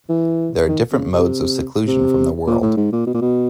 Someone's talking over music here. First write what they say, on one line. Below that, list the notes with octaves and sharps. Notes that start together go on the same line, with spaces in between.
There are different modes of seclusion from the world.
E3
D#3
C3
C#3
C3
C3
A#2
A2
G#2
A#2
B2
A#2
B2